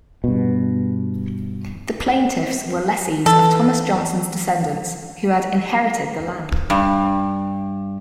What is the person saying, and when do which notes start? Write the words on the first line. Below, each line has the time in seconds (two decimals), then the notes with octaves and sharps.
The plaintiffs were lessees of Thomas Johnson's descendants, who had inherited the land.
0.24 G2 B2
3.26 E3 A4
6.70 G2